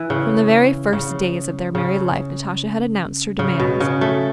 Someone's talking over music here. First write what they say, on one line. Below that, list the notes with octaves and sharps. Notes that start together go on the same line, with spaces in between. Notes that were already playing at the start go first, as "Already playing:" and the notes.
From the very first days of their married life Natasha had announced her demands.
Already playing: E3
C#3
C#3
C#3
C#3
B2
C#3
A3